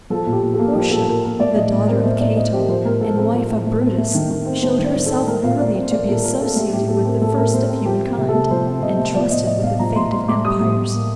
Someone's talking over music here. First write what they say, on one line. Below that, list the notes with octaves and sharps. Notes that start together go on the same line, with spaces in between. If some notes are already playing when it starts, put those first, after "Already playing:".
Portia, the daughter of Cato, and wife of Brutus, showed herself worthy to be associated with the first of human kind, and trusted with the fate of empires.
F3 A4
A#2
G4
A#2
A4
A#3
F3 G4
A#2 A4
A#2 A#4
A#3 A#4
A3 D5
A2 D#5
A2
C4 A#4
A3 C5
A2 D5
A2 D#5
C4 G4
F3 C5
A2 A#4
A2 A4
C4 A4
F3 A#4
A2
A2
C4
A3
D#3
D#3
C4
A3 C5
D#3
D5
D#3
A4
C4
A3 A#4
A#2 F5
A#2 D5
C4
A3 D5
A#2 A4
A#2 A#4
C4 A4
A3 G4
A2 G4
A2 A4
C4 A#4
A3 A4
A2 A#4
A2 C5
C4
F3 G4
C4 G4
C3
A4
A3
F3 C5
C4
C3 D#5
A3
F3 D5
A2 D#5
A2 D#5
A3 F5
F3 A#5
A2 C6
A2 C6
A3 D6
G3 D#6
A2
A2
A#3